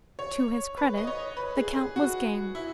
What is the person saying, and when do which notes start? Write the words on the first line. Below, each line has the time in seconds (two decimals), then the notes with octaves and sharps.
To his credit, the count was game.
0.19 C#5
0.77 B4
0.97 D#5
1.07 C#5
1.37 B4
1.57 G#4
1.76 G#4
1.96 F#4
2.55 E4